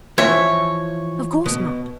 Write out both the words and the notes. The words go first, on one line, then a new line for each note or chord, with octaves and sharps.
Of course not!
E3 F3 C#5 E5
B2